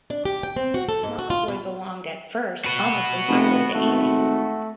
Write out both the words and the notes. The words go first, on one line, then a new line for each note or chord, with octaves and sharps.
So the smaller boy belonged at first almost entirely to Annie.
D4
G4
G5
C4
F#4
A4
G#2
F#4
F4
B2
F#4 B4
F1 B3
G#1 A3